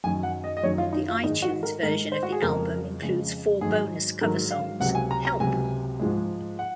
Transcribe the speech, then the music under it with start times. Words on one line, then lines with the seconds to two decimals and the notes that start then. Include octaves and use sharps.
The iTunes version of the album includes four bonus cover songs, Help!
0.04 F#2 D#3 F#3 G#5
0.23 F#5
0.44 D#5
0.57 D#5
0.63 F#2 D#3 F#3 C#5
0.78 F4
0.93 D#4
1.08 F4
1.23 G#2 D#3 G#3 D#4
1.42 F#4
1.63 A#4
1.83 G#2 D#3 G#3 A#4
2.12 C5
2.23 F#4
2.32 G#4
2.42 F2 C#3 G#3 A#4
3.02 F2 C#3 G#3
3.61 G#2 D#3 F#3 G#4
4.21 G#2 D#3 F#3 A#4
4.51 F5
4.80 C#2 C3 F#3 F#5
4.95 G#5
5.11 A#5
5.25 A#5
5.40 C#2 C3 F#3 G#5
5.99 G#2 F3 G#3
6.59 F#5